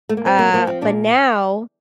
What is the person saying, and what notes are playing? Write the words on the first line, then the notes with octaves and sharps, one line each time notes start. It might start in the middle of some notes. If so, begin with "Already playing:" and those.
Uh, but now
A3
A#3
A#2 C4
A#3
F3 A#3
C4
A#2 D4